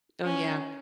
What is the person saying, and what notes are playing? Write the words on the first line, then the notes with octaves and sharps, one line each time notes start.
Oh yeah.
C#4